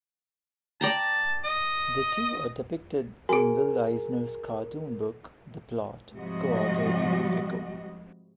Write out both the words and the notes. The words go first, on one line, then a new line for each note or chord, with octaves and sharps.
The two are depicted in Will Eisner's cartoon book "The Plot", co-authored with Eco.
D5 G5 A5 A#5
D#5
F#4 G#4 A#4 G#5 D7
G#2 C3 F3 G3 F#4 D#5